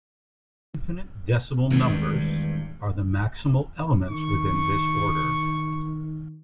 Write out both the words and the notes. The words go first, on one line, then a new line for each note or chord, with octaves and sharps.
The infinite decimal numbers are the maximal elements within this order.
G#1 E2 G2
D#3 C#6